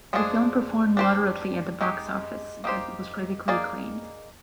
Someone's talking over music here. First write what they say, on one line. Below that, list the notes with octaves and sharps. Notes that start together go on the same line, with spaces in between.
The film performed moderately at the box office, but was critically acclaimed.
F3 G#3 D4 G#4
D4 G4 C5
G#3 D#4 G4
A#3 D#4 G4 C5
A#3 D#4 G#4 D5